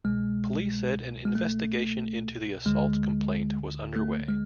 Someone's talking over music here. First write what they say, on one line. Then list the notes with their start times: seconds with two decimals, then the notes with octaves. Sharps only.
Police said an investigation into the assault complaint was underway.
0.04 C2 B2 G#3
1.25 G#3
1.35 A3
2.65 D2 D3 G#3
3.96 A3
4.28 G#3